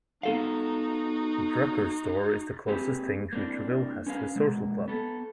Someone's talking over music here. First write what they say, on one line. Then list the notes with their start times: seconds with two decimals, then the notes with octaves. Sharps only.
Drucker's Store is the closest thing Hooterville has to a social club.
0.23 B3 D#4 F#4 A4 F5
2.68 A#3 C4 G4 G#4 B4
3.33 A#3 C4 D4 E4
4.07 C#4 A#4 B4 F5
4.35 B2 F#3 G#3 A#3
4.88 B3 A4